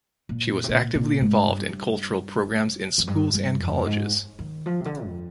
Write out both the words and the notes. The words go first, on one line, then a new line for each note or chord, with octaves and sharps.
She was actively involved in cultural programmes in Schools and Colleges.
A#2
C3
A#2
A#2
G#2
G2
F2
G2
G2
F2
G#2
D#3
F3
C3
D3
F2